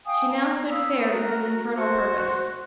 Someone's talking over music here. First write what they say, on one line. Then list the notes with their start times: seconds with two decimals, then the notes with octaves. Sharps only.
She now stood fair for his infernal purpose.
0.06 F5 G5 G#5 D#6
0.27 A#5
0.70 F5 B5 D#6 E6
1.11 F#4 A#4 A#5
1.75 F#4 C5 C#6